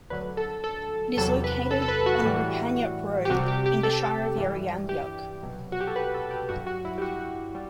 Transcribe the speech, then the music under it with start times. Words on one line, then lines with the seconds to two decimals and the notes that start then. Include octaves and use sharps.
It is located on Rupanyup Road in the Shire of Yarriambiack.
0.10 D2 D3 F#3 B4
0.37 A4
0.64 A4
1.17 E2 C3 F#3 A4
1.44 B4
1.71 A4
1.82 A4
1.88 B4
2.06 F#4
2.24 A2 E3 G3
3.25 G4
3.30 C2 C3 G3 F#4
3.48 G4
3.66 G4
3.83 A4
4.36 G2 E3 G3
4.89 G4
5.43 C2 B2 F#3
5.72 F#4
5.81 G4
5.87 A4
5.96 B4
6.14 A4
6.31 G4
6.49 G2 F#3 F#4
6.67 F#4
6.85 E4
6.98 G4
7.02 F#4
7.55 G3